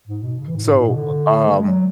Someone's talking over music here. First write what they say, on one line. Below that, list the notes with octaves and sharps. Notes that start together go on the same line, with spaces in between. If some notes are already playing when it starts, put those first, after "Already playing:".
So, uh, um,
G#2
B2
C#3
E3
G#2
A2
G#2
A2
B2
D3
A3
G#3
F#3